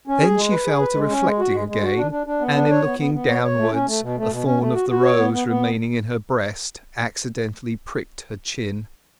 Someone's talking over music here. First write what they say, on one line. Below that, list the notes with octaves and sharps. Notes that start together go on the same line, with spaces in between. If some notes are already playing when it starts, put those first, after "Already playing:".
Then she fell to reflecting again, and in looking downwards a thorn of the rose remaining in her breast accidentally pricked her chin.
C#4
G#4
G#3
B4
G#4
B4
G#3
C#4
G#3
F#4
G#3
G#3
F#4
D4
D4
D4
B3
D4
C#5
B3
B3
B3
C#5
C#5
A3
C#4
A3
B2
A3
B2
C#4
A3
F#4
F#4
C#5
B3
B3
B3